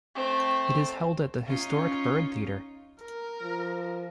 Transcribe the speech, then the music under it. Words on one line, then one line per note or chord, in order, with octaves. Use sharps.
It is held at the historic Byrd Theatre.
A3 C4
C#4 D#4 F4
A#4
F3